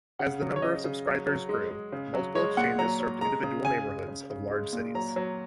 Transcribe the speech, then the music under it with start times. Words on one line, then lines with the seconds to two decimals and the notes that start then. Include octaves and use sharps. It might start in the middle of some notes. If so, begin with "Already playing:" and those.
As the number of subscribers grew, multiple exchanges served individual neighborhoods of large cities.
0.19 C#3 F#5
0.41 F#3
0.56 C#5
0.62 C#3 D#5
0.84 C#3
1.06 F#3
1.27 F#3
1.49 G#3
1.71 G#3
1.92 C#3
2.14 F#3
2.35 G#3 C#5
2.57 A#2 F#5
2.79 F#3 A#5
3.00 F#3
3.21 G#3 A#5
3.44 C#3
3.65 C#3 G#5
3.87 G#3
4.08 C#3
4.30 C#3
4.51 G#3
4.73 A#2
4.95 F#3 A#5
5.16 F#3